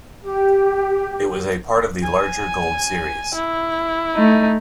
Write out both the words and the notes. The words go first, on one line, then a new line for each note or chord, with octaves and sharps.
It was a part of the larger Gold series.
G4
G#5
E4
A3 D#4